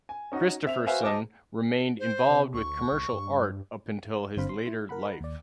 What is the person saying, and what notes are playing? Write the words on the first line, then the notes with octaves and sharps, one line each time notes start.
Christopherson remained involved with commercial art up until his later life.
G#5
C#4 D#4 F#4
C4 E5 F7
F#4 B4 C5 E5 F5 G#5
C5 D#5 A5 D6
C5
C3
D2 C#6
C2
G2
G1 D3 C4 C5 F5 B5
C6
E4
A#4 F#5 B5
D#2 D5